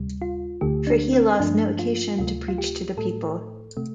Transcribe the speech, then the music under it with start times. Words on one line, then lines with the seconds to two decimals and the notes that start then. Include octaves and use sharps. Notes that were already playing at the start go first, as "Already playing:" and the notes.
For he lost no occasion to preach to the people.
Already playing: D2 C3 G3
0.22 F4
0.61 D2 D3 A3 G4
0.87 D4
1.13 C4
1.40 G2 F3 A3 D4
1.79 F4
2.18 D2 C3 A3 F4
2.48 F4
2.58 G4
2.97 A2 A3 A4
3.77 C3 A3